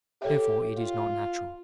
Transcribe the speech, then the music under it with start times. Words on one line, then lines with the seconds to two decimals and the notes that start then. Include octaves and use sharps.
Therefore it is not natural.
0.22 G4 A4 C#5 E5
0.77 F4